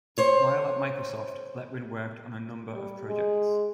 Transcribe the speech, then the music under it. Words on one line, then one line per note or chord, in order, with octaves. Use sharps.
While at Microsoft, Letwin worked on a number of projects.
C5 C#5
G3
G#3